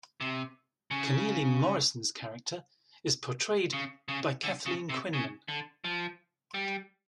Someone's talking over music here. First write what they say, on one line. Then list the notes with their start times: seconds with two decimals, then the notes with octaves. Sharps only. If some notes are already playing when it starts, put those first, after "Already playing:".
Kennealy-Morrison's character is portrayed by Kathleen Quinlan.
0.21 C3
0.91 C#3
3.73 C#3
4.08 C#3
4.44 D3
4.66 C#3
4.89 C3
5.13 C#3
5.48 D3
5.84 F3
6.54 G3